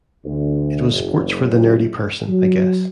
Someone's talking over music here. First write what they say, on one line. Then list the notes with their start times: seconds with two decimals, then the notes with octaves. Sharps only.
It was sports for the nerdy person, I guess.
0.24 D2
0.90 F#1
2.28 F#3